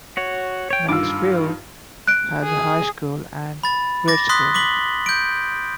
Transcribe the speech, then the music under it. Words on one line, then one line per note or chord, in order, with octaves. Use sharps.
Macksville has a high school and grade school.
F#4 C#5
C#5 G5
G2 D#3 F4 D6 E6
F#6 D7
G#4
B5 A6
D6 A6 A#6
C6 D#6 F#6 B6 G7
D6 B6 F#7 G7
G6 D7